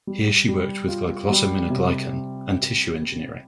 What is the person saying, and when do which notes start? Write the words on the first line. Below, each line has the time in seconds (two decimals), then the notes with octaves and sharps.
Here she worked with glycosaminoglycan and tissue engineering.
0.07 G3
0.49 G3
0.88 F4
1.30 G3
1.70 C3